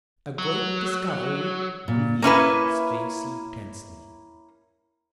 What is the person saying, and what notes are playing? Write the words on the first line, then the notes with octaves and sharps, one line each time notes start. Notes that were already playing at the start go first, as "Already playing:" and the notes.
"A great discovery," breathed Stacy tensely.
F#3
A#2
A#3 C#4 E4 B4